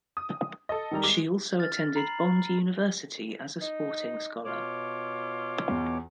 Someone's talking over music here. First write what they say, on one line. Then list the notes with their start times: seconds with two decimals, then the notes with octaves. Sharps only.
She also attended Bond University as a sporting scholar.
0.17 D#6
0.69 A4 D#5
0.91 D#3 G3 A#5
1.03 G#3 D6
1.59 F6 A6
1.96 A#5 B5 C7 F#7
3.61 D#4
4.45 B2 F4 C#5 D6
5.71 E2